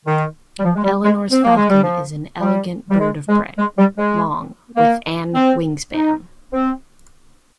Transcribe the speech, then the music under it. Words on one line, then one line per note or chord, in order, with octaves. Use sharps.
Eleonora's falcon is an elegant bird of prey, long with an wingspan.
D#3
G3
F3
G#3
G3
G#3
C4
A#3
G#3
G3
F3
G3
G3
G#3
G#3
G#3
G3
G#3
A#3
C4
D#4
C4